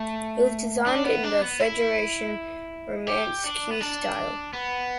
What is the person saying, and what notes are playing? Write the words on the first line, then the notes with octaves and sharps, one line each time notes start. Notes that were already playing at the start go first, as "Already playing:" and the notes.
It was designed in the Federation Romanesque style.
Already playing: A3
D4
B3
D4
B3
E4
G4
D4
B3
D4
B3